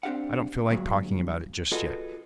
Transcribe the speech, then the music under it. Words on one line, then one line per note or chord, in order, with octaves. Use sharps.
I don't feel like talking about it just yet.
C4 D4 G4 F5 F#5
D2 G2 A#2 F#3 G#3
F4 F#4 G#4 A4 B4 D#5